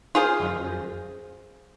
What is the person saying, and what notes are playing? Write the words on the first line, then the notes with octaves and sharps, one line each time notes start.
I agree.
F4 G#4 C5